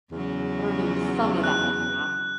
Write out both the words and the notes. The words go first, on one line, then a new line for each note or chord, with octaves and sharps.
earning some of that money, not,
E2 C#3 F#3
F#6